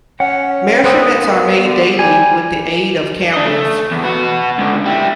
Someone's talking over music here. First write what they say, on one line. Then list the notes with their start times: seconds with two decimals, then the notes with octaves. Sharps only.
Measurements are made daily with the aid of cameras.
0.20 C#4 F#5
0.84 B3 C4 B4 D#6
1.04 A#2
1.64 D3
1.99 G3 G#5
3.33 D4 D#5
3.46 A3
3.91 E2
4.04 F#4 B4
4.58 C#2 D3
4.85 G3 E4